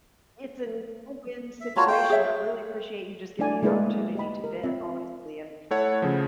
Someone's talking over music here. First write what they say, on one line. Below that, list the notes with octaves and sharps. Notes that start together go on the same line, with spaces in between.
It's an win-win situation. I really appreciate you just giving me the opportunity to vent honestly, and,
E5
F4 F#4 C#5 D5 A5 A#5
A#4 F5 G5
G#4 C#5 E5
A3 D4 E4 D5 G#5
G#3 A#3 E4 A#4 B4 D5
G4 D#5 B5
A#4
C4 F4 C#5 E5
A3 E4 A4 C#5 F#5
C#3 F3